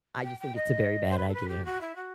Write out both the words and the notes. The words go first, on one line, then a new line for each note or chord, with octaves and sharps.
I just think it's a very bad idea.
G5
G5
D#5
C5
B4
A4
B4
G4
F#4
E4
F#4